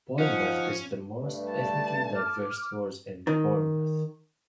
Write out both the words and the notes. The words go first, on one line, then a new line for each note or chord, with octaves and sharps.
Bournemouth is the most ethnically diverse wards in Bournemouth.
F3 C#4 D#4 F5 F#5
G2 A3
A5
D6 F6
D#3